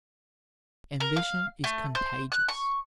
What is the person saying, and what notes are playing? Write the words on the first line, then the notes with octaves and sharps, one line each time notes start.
Ambition is contagious.
A#4
F5
A3
C5
F#6
C#6